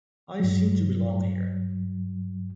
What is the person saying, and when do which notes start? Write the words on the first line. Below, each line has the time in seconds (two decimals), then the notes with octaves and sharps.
I seem to belong here.
0.40 G2 F#3